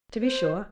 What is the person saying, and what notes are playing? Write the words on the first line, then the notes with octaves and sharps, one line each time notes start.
'To be sure.
C5